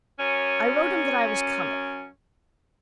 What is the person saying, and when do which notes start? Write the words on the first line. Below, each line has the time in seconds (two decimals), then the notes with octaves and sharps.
I wrote him that I was coming.
0.19 F#2 C#4